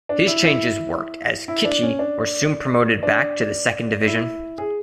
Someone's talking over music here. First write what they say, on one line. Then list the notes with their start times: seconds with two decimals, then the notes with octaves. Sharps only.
His changes worked as Kitchee were soon promoted back to the Second Division.
0.09 D4
0.27 E4
0.45 E4
1.48 E4
1.65 D4
1.83 C#4
1.99 D4
3.03 D4
4.07 E4
4.58 G#4